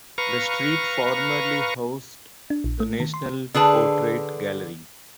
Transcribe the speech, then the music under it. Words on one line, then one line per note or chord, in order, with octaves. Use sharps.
The street formerly housed the National Portrait Gallery.
B4 F5 A#5 C#6
D4
A#1
A3
D#3
C6
D3 G#4 B4 A5